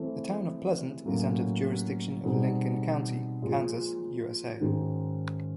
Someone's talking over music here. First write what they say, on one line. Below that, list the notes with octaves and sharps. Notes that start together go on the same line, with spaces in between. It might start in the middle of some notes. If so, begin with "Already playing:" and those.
The town of Pleasent is under the jurisdiction of Lincoln County, Kansas, USA.
Already playing: E3 A3 C4 E4 A4
A2 F#3 A#3 C#4
B2 G3 C4 D#4 G#4
A#2 F3 G#3
G#2 D#3 G#3 C#4 F#4